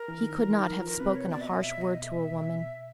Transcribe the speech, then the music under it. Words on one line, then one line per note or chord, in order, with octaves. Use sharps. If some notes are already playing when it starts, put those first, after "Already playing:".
He could not have spoken a harsh word to a woman.
Already playing: A#4
E3
D#3
E3
E3
D#3
E3
F3
A#4
C3 B4
C#5
B2 D5
E5
D#5
E5
D#5
E5